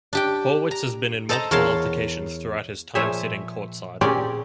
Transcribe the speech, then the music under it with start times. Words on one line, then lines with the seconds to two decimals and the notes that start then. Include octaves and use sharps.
Horwitz has been in multiple altercations throughout his time sitting courtside.
0.13 D4 G4 G5
0.71 A#5
1.29 A4 C5 D#5 A5 A#5
1.51 E2 A#4 C#5 F5 A5 C6
2.95 A#2 F3 C5 C#5 E5 G#5
4.01 A#2 C4 C#4 G4 G#4 D5